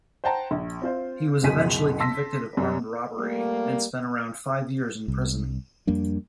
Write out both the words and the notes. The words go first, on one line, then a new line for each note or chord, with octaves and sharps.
He was eventually convicted of armed robbery and spent around five years in prison.
C5 F#5 G5 A5 A#5
A#1
C4 F4 C5
F#1 C#2 B2 G#4 B6 D#7
A5 C6 E6 A#6 B6
F#2 G3
G3 A3 A#3
C2
F2 G3 A#3 D4